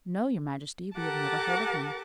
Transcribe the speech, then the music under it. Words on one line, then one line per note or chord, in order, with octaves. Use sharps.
'No, your majesty, we have never heard of him.'
G4 A4 A#4 F#5 A5 D6